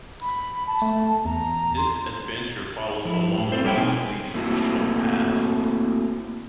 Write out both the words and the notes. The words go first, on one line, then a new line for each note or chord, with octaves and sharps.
This adventure follows along relatively traditional paths.
B5
A5
A3
E2 A#5
C6
F3 E4
A2
C4 A4 C5
G3 A#3 E4 C#5 G5
B2 C4 D#4 G#5
A3 A#3 C4 E4 F#4 A4